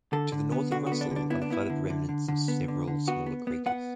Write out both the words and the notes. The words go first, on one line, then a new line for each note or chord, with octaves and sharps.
To the north of Russell are the flooded remnants of several smaller craters.
D3 A4
D3
B3
D3 F#4
F#4
B3
D4
D3
D4
B3 E4
D4
B3 E4
D3
D3
D3
D3
B3
D3
D3
B3 F#4
B3
B3
B3 F#5